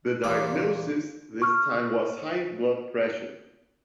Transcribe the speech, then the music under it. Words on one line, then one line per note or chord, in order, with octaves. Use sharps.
The diagnosis this time was high blood pressure.
E2 A#2 G3 F4 A#5 D6
C#6 F6